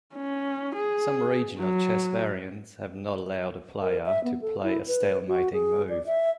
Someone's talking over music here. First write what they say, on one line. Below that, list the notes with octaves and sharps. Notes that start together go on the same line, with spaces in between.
Some regional chess variants have not allowed a player to play a stalemating move.
C#4
G#4
F#3
A#4
E5
B3
A4
E4
B4
F#4
G#4
D5
E5